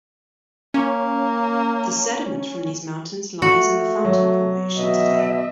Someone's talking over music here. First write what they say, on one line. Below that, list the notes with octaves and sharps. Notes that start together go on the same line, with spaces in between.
The sediment from these mountains lies in the Fountain Formation today.
A#3 C#4
A3 F#4
F#3
B2 D#5 E5